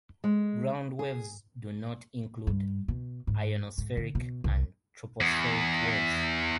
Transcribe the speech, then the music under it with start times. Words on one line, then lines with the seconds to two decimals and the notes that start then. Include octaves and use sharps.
Ground waves "do not" include ionospheric and tropospheric waves.
0.24 G#3
0.99 G#4
2.47 G2
2.88 B2
3.27 G#2
3.78 G#2
3.97 D3
4.15 B2
4.44 C2
5.21 E2